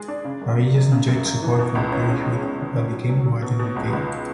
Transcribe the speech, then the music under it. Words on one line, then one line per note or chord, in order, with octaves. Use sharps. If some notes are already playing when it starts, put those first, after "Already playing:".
Varillas enjoyed support from Pierre Huet but became a marginal figure.
Already playing: G#3 G#4
D4
C#3
F#2
F#2
F#2
C#3
F#2
F#2
E3
B2
C#2
C#4
C#4
G#3
C#4
C#4
C#4
F#3
F#3
F#3
B2
B2
C#2
C#2